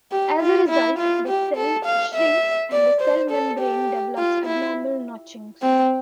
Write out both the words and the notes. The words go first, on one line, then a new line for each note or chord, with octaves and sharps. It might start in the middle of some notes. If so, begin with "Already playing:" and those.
As a result, the cell shrinks and the cell membrane develops abnormal notchings.
G4
F4
E4
F4
G4
A4
F5
E5
D5
C5
A4
G4
F4
E4
C4